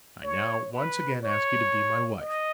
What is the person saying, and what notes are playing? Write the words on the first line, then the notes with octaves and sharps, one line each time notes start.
I now once again ask you to be my wife.
C#5
B4
C#5
D#5